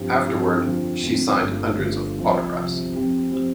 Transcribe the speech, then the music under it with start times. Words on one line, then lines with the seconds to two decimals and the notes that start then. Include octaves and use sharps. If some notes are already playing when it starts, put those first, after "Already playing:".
Afterward, she signed hundreds of autographs.
Already playing: G2 F3 C4 G4
0.26 G2 F3 C4 G4
0.64 F2 D3 F3 C4 F4
1.02 F2 D3 F3 C4 F4
1.40 G1 G2 D3 A3 F4
1.79 G1 G2 D3 A3 F4
2.17 C2 C3 F3 C4
2.55 C2 C3 F3 C4
2.94 F2 F3 C4 G4
3.31 F3 C4 G4